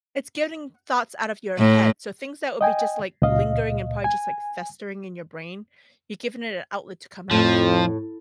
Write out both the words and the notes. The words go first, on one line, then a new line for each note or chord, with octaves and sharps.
it's getting thoughts out of your head. So things that would be just, like, lingering and probably just, like, festering in your brain, you're giving it an outlet to come out.
A2
D#5 G5 G#5
C#2 A#2 D#5 F5
G#5
F2 A2 F3